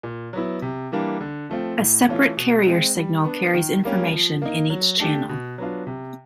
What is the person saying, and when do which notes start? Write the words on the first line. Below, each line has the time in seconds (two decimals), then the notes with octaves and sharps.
A separate carrier signal carries information in each channel.
0.03 A#2
0.33 F#3 B3 E4
0.62 C3
0.92 E3 G3 A#3 D4
1.21 D3
1.50 F3 A3 C4 F4
1.79 A2
2.09 E3 A3 C#4 F4
2.37 B2
2.67 G#3 C4
2.95 G3
3.24 B3 D4
3.54 D#3
3.84 G3 A#3 C#4
4.12 F3
4.42 A#3 D#4
4.70 F#3
4.99 A3 D4 G4
5.29 B2
5.58 F#3 B3 D4 F4
5.87 C3